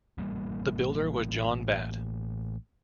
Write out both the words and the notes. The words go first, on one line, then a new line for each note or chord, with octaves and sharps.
The builder was John Batt.
A1 G3 A#3